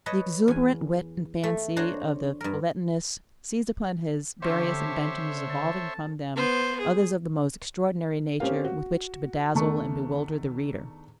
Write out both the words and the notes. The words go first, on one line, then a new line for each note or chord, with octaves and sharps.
The exuberant wit and fancy of the feuilletonists seized upon his various inventions evolving from them others of the most extraordinary nature with which to bedazzle and bewilder the reader.
B4 C#5 D#5 A5
E2 G#5
A3
D4 F#4 C5 C#5 F#5 A#5
G2 A#4
D3 C4 C#4 G4 A4 C5 C#5 E5
A5
B3 C5
G#4
C4 C#4 G4 A#4 F5
F#4
E2 D#3 A3 D4 C#6